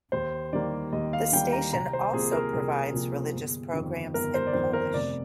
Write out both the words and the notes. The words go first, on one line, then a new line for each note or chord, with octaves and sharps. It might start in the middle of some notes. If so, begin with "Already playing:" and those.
The station also provides religious programs in Polish.
D#2 C5
D#3 G3 A#3 D5
D#2 D#5
F5
D#3 G3 A#3 G5
A#5
C2 A#5
C5
C3 F3 A#3 G#4
A#4
C2 G#4
C3 F3 A#3
G1
F2 D#3
G1 A#4
C5
D5
F2 D#3 C5
A#4
F1 D5